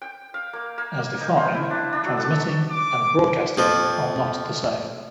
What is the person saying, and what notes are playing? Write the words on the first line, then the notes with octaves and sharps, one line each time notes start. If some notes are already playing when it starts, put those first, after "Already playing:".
As defined, "transmitting" and "broadcasting" are not the same.
G5
F5
A#3
A#3
A#3
D#4
C5
E4
D4
D4
F#3
A4
D6
F2 F3